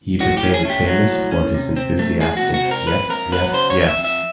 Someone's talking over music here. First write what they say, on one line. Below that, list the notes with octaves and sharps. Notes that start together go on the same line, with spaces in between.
He became famous for his enthusiastic Yes, yes, yes!
A2 F#4
G4
C#4
G#4
A3 G4
F#3
A2
C#4
C3
C4
A3
F3 G#4
F#4
C3
F#4
C4
A#4
F2 B4
F2 A#4
F#3 B4
C#3 C5
C#5
F2
E5
F2
E5